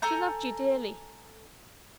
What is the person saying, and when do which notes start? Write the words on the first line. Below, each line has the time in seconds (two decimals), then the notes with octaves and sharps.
She loved yo' dearly.
0.02 A4 G#5 A#5 G6